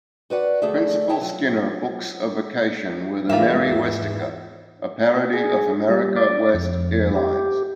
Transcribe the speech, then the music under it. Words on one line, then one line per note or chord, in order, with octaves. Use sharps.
Principal Skinner books a vacation with AmeriWestica, a parody of America West Airlines.
F#4 B4 D5 F#5
D2 A3 G#4 A4 D5 E5
G#4 C#5 E5 G5 A5
F#3 F4
E2 G#2 G3 A#3 F4 E5
G#4
G3
D5
F2
G4